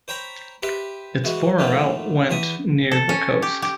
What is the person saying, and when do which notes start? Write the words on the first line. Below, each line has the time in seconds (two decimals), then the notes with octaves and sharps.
Its former route went near the coast.
0.08 C5 C#5 G5 A#5 B5
0.62 G4 B4 C5 E5
1.24 E3 G#3 F#4
1.59 F2 A2 D#3 F#3 A3 A#3
2.30 E2 E3 E5 D#6
2.92 A4
3.09 C#4
3.42 G4
3.62 G4